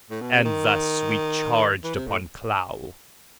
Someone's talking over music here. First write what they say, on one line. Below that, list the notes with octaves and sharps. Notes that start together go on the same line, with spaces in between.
And thus we charged upon Klow.
A2
B2
C3
D#3
E3
C3
A2